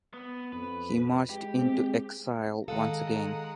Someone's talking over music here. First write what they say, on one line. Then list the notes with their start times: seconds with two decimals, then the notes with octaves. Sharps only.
He marched into exile once again.
0.14 B3
0.52 F2 B4
1.30 G#3 G4
1.59 C4
2.68 D#3 G#3 A4 F5 F#5 A#5 D#6